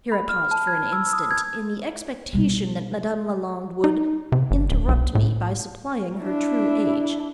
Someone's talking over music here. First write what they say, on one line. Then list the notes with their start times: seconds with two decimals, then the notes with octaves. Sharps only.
Here I paused for an instant, in the expectation that Madame Lalande would interrupt me by supplying her true age.
0.12 B5
0.29 F6
0.51 A5
0.67 G#6
0.93 E6
1.13 D#6
1.31 G#6
2.33 B2 G3
3.84 D#4
4.32 C3
4.51 G1
4.71 D1
4.88 B1
5.15 A2
6.23 D4 E4